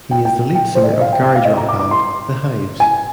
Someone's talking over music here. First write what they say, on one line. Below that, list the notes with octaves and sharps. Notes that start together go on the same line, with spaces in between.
He is the lead singer of garage rock band The Hives.
G5
G5
G5
C5
D5
D#5
F5
G5
G5
F5
D#5
A#5
D6
D6
C6
G#5